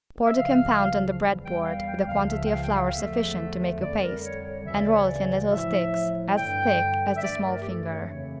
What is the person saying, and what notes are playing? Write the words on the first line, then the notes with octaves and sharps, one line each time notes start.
Pour the compound on the bread board with a quantity of flour sufficient to make a paste and roll it in little sticks as thick as the small finger.
E5
C#2 C#3 F3 F5
E2 E3 G3
G5
F5
F5
G5
C#2 C#3 F3 F5
E5
G5
F5
G5
F5
F5
E2 D3 F3 A3 E5
F2 D3 G3 D5
A#4
C#5
C#5
D2 C#3 E3 E5
D5
C#5
D5
A2 F3 A3 E5
G2 D3 G3 G5
E5
G2 E3 A3 D5
A#4
G4
A4
C#5
F2 C#3 E3 A3 C#5